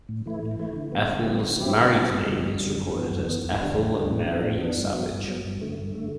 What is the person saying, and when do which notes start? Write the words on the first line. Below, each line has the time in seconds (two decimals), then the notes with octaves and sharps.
Ethel's married name is recorded as Ethel Mary Savage.
0.09 A2
0.26 E3 A3 E4
0.43 A2
0.59 E3 A3 E4
0.76 D3
0.92 B3
0.97 G3
1.10 D3
1.26 G3 B3
1.43 D3
1.59 F#3 C4 E4 G4
1.77 D3
1.93 F#3 C4 E4 G4
2.10 G2
2.26 D3 G3
2.43 G2
2.60 D3 G3
2.77 F#2
2.93 E3 B3
3.10 F#2
3.27 E3 B3
3.44 E2
3.61 D3 G3 D4
3.78 E2
3.94 D3 G3 D4
4.10 A2
4.27 E3 B3 D4
4.44 A2
4.61 E3 B3 D4
4.77 G2
4.94 F#3 B3
5.11 G2
5.28 F#3 B3
5.44 G2
5.61 D3 A3
5.78 G2
5.95 D3 A3